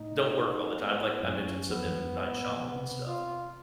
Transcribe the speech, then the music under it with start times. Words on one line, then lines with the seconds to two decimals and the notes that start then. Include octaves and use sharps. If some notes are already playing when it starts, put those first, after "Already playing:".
don't work all the time, like, I mentioned some M. Night Shyamalan stuff,
Already playing: A2 D#4
0.32 D#4
0.78 B3
1.23 F#2 C#4
1.69 F2 B3
1.84 E2
1.99 F2
2.15 G#2
2.31 A2
2.46 A#2
2.61 B2 B3
2.76 C3
2.92 C3
3.07 F4